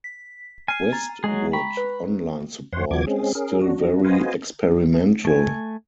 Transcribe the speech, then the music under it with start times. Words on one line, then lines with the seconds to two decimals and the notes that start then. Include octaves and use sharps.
Westwood Online support is still very experimental.
0.04 B6
0.68 G#5 F6 C7
0.92 A#5 A6 D#7
1.24 F#3 G#3 G#4
1.53 G5 A#5 B5 C#6
1.77 B4
2.73 F2 C5 C#5 F#5 C6
2.91 D#2 F3 B3 F#4 D6 G#6
3.07 G#3 C4 C#4 G#4
3.35 C#4 G#4 A#4
3.61 F#3 D4 F#4
4.05 F#4 B4 C5 D#5 F5 G#5
5.25 A3 G#5